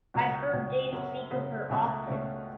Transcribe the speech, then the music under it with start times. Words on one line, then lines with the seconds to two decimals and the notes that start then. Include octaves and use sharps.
I've heard Dave speak of her often.
0.14 C#2 B2 F#3
0.53 C#2 B2 F#3
0.92 F#2 C#3 F#3 B3
1.31 F#2 C#3 F#3 B3
1.69 C#2 B2 A3 C#4
2.08 C#2 B2 A3 C#4